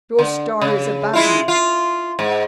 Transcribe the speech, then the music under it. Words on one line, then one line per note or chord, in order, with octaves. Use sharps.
Your star is above you.
D3
C#3
G#3 E4 F4
F4
G#2